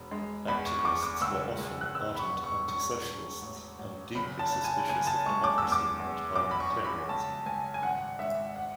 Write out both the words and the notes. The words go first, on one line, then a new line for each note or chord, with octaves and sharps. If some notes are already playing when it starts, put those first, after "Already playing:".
Activists were often ardent anti-Socialists and deeply suspicious of democracy and parliamentarism.
Already playing: E1
G#3
E2 B5
C#6
C#6
E2 D6
D6
C#2 E6
C#2
F#6
E2 E6
B5
C#6
E2
C#6
E1 C#6
E1
A1
A1
F#1 B5
A5
F#1
G#5
F#1 G#5
A5
G#3 C#6
D6
E2 E6
D6
E2
B1 D6
B5
C#6
B1
B5
C#2 A5
C#2 G#5
G#5
G#1 F#5
G#1 E5
F#5